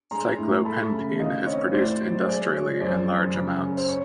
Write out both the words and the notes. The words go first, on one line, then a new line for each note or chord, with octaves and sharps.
Cyclopentene is produced industrially in large amounts.
G#3 A#5 C6
A2
A3 A5 B5
C#3
D#3 D#5 F5
C4 C#5 D#5
A2 C5 D5
F#3
G#3 C5 D5
G#3 C#5
F#2 C5 D5
F#2
C#3
C#3
C5
C#5